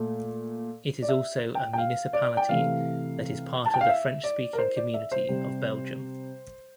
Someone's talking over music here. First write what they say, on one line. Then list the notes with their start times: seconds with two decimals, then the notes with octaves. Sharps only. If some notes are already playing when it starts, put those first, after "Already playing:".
It is also a municipality that is part of the French-speaking Community of Belgium.
Already playing: A#2 A3
1.02 D5
1.09 E5
1.55 G5
1.73 G5
1.78 F5
2.13 D5
2.37 G5
2.49 C3 E3 A3 F5
3.66 A5
3.74 G5
3.81 F5
3.89 E5
4.24 D5
4.53 A#4
4.58 C5
4.77 D5
4.94 E5
5.12 C5
5.29 C3 G3